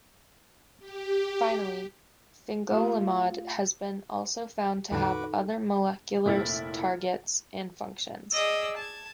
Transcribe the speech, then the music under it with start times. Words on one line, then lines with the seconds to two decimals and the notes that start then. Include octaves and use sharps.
Finally, fingolimod has been also found to have other molecular targets and functions.
0.79 G4
2.71 A3 F4 G4
4.91 E2 A2 D3 D#4 F#4 A4 B4 D6
6.26 F1 A#2 E4 F6 A6
8.32 G#4 D5 D#5 E6
8.75 A5 G#6